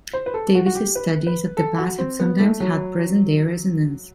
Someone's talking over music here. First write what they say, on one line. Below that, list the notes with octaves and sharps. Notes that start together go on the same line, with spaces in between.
Davis's studies of the past have sometimes had present-day resonance.
C5
B4
A4
F#4
F#4
G4
B4
B4
A4
F#4
C4
B3
A3
F#3